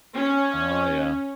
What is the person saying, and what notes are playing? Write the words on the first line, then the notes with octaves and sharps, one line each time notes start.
Oh, yeah.
C#4